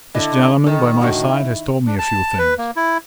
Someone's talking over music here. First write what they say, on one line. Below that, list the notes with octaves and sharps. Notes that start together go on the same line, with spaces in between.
This gentleman by my side has told me a few things.
D3 E4 D#5
D#3 A4
A2 D3 F#4
E4
D4
A5
B4
A#3
E4